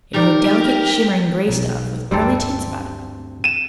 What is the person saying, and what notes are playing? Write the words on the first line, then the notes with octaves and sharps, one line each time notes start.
It is a delicate, shimmering grey stuff with pearly tints about it.
G3 D#4 A#4 D5
G4
B1
D2 G2 G3 C4 A4 A#5
D#7 E7